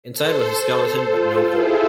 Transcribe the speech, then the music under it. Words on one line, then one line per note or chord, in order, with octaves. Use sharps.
Inside was a skeleton but no gold.
A4 C5
F4 A4
E4 G#4